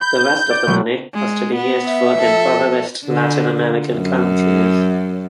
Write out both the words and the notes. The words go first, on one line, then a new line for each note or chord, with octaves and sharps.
The rest of the money was to be used for impoverished Latin American countries.
B5 G6
D5 D7
B1 F#3 G#3
G#3
B3
E5
F3 A4
D3
F#2